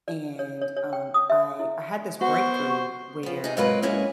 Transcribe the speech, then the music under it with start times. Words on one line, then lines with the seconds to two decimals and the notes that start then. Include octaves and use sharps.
And, um, I I had this breakthrough where
0.08 D5
0.39 C#5
0.62 C#5
0.77 C#5
0.93 G5
1.14 D#6
1.30 E5
1.59 E4
2.21 B3 F#4 C5 C#6
3.23 F3 B3
3.44 D#4 G#4
3.57 G#2 C3 F#3 F4 A#4 B4
3.82 G#2 A#3 C#4 E4 G#4